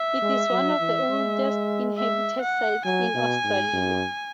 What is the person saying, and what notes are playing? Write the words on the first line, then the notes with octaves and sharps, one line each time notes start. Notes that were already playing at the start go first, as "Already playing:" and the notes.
It is one of the oldest inhabited sites in Australia.
Already playing: E5
G#3
F#3
E3
G#3
E5
F#5
F#3 G#5
B2
G#2
F#2